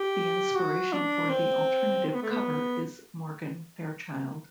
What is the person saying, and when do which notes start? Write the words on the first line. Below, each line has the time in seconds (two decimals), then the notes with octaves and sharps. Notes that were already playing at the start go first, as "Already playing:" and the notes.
The inspiration for the alternative cover is Morgan Fairchild.
Already playing: G4
0.55 F#4
0.92 D4
1.29 C4
2.05 C4
2.13 B3
2.22 A3
2.31 B3